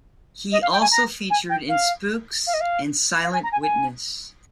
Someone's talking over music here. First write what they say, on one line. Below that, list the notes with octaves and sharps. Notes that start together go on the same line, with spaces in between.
He also featured in "Spooks" and "Silent Witness".
D#5
F5
G5
G#5
A#5
G#5
G5
F5
F5
D#5
F5
F5
G#5
A#5
G#5
G#5